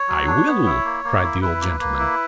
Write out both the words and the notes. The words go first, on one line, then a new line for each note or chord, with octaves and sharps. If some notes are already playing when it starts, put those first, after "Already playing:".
"I will!" cried the old gentleman.
Already playing: C#5
F#3
D4
B3
E4
A#3
A#3
E4
E4 B4
A#3
A#3
E4